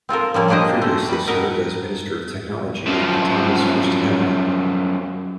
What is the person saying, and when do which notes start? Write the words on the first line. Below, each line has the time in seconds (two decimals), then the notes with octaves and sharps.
He previously served as Minister of Technology in Khatami's first cabinet.
0.09 C4 F4 A4 A#4
0.34 F3 G3 A#3 C#4
0.48 G#3 A#3 D4 G4 C5 D#5
0.82 A3 C5
1.08 G3 B4
1.27 F#4 A#4 D#5
2.87 F#2 F3